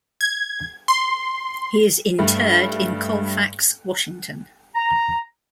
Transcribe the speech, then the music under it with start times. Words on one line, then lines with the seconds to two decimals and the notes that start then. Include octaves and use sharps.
He is interred in Colfax, Washington.
0.21 G#6
0.88 C6
2.19 G2 G3 A3
4.75 A#5